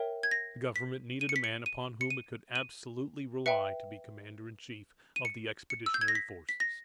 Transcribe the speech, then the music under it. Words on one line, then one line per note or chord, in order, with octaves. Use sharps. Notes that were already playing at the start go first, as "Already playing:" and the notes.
The Government needed a man upon whom it could absolutely rely to be Commander-in-chief of the Expeditionary Forces.
Already playing: A#4 C#5 E5 G5
G#6
A#6
B6
D#7
C#7
B6
C#7
D#7
C#7
D#7
D#7
B4 E5 G5 C#7
D#7
C#7
C#7
E6
G6
G#6
A#6
B6
B6
A#6